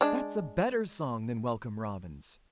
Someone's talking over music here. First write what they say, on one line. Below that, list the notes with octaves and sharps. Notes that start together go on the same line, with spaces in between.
That's a better song than Welcome Robin's.
G#3 D4